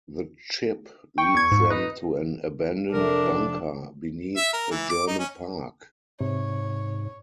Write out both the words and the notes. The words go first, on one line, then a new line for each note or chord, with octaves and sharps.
The chip leads them to an abandoned bunker beneath a German park.
G5 C#6
E2 G#6
G#2
D#4 B4
F1 D4 A#4
E5
A#4
E3
D6
D#4
C#4
G#2 C3 C#5